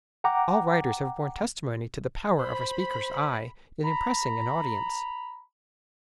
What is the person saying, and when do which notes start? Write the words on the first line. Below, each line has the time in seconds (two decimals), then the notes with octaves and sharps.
All writers have borne testimony to the power of a speaker's eye in impressing an audience.
0.24 F#5 G5 A#5 D6
2.39 C5 B5
3.84 A#5 B5